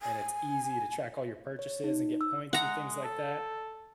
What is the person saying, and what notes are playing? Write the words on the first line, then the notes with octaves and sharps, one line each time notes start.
and it's easy to track all your purchases and get points and things like that.
G#5
C#5
D#4
E6
G#3 F#5 A#5
A4